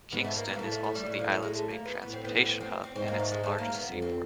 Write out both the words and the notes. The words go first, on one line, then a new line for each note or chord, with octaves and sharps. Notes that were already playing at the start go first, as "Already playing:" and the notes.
Kingston is also the island's main transportation hub and its largest seaport.
G#2 B3
A3
A#3
B3
A#3
A2 A3
A3
A3
G3
A2 F#3
F3
F#3
G#3
A3
A#3
B3
A2 B3
C4
B3
C4
B3
C4
C4
G#2 C4
A#3
A3
G#3
A3
A#3
B3
F2
C4